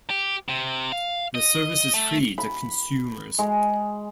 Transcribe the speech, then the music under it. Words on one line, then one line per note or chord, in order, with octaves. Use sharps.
The service is free to consumers.
G4
C3
F5
D#5
A3
B5
G#3